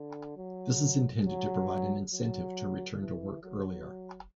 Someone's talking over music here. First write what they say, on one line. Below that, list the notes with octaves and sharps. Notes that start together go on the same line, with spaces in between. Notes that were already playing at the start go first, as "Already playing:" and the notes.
This is intended to provide an incentive to return to work earlier.
Already playing: D3
F#3
F#3
F#3
E3
F#3